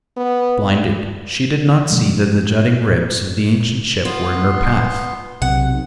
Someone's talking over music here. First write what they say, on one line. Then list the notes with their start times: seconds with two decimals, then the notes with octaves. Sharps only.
Blinded, she did not see that the jutting ribs of the ancient ship were in her path.
0.17 B3
1.90 B2 F3 G#3 A#3
4.05 B3 F4 C6
5.42 B1 C3 F#5